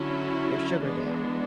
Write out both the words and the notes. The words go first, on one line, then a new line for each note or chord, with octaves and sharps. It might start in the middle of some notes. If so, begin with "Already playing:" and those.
your sugar down.
Already playing: D3 F#3 C#4 E4
E3 G#3 B3 D4